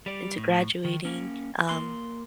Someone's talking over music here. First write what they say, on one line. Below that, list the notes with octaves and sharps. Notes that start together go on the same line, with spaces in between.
into graduating, um
G3 D5
A2
D#3
A#3 C#4
A#3 C6